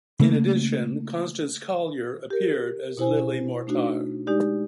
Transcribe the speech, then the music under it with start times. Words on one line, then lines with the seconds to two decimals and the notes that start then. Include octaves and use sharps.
In addition, Constance Collier appeared as Lily Mortar.
0.19 C#3 A3 A#3
2.30 G4 A#4
2.97 B2 E4 C5 G#5
3.67 A3 D4 D#4 F#4
4.27 G#3 D#4 G4 D5